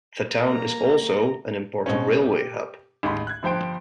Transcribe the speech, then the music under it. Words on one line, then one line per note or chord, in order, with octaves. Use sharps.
The town is also an important railway hub.
A#3 A#5
B2 G#3 C4 C#4
G4
A1 D#2 G#3 B5 C6
F#6 G#6
G1 F3 C5 G5 D7